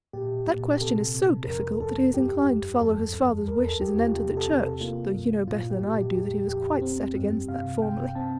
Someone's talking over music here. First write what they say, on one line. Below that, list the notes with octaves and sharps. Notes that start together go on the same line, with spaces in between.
That question is so difficult that he is inclined to follow his father's wishes and enter the Church, though you know better than I do that he was quite set against that formerly.
A#2 G4
A#2
G4
C3 A4
C3
F2 A#4
F2 A4
G2 G4
G2
F2 A4
F2
E2 A#4
A4
E2 G4
F4
C3 G4
A4
C3
A4
A#3 F4
G2
A#2 F4
G4
A#2
G4
F2 G4
F2 G4
C4
G2
C3 F5
C3 G5
C4 A5